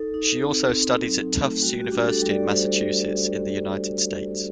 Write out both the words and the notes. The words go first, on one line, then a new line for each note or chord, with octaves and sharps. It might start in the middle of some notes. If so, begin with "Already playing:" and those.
She also studied at Tufts University in Massachusetts in the United States.
Already playing: D#4 A4
D#4
C4
C4
F#3
A3
G3 F#4
F#4
G4
D4
A4
G3
D5
G3 C5